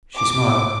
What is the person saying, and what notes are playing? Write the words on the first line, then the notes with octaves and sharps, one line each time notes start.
She smiled.
D6